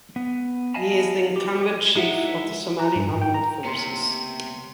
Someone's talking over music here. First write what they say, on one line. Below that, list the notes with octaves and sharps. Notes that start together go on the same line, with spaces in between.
He is the incumbent Chief of the Somali Armed Forces.
B3
D#5 F5 G#5 A5 B5
G4
G#3 D#4 E4 E5 F#5
A#5
G2
G#2
G5
A#5
C#2 C3 A#3 B3 C#5 C6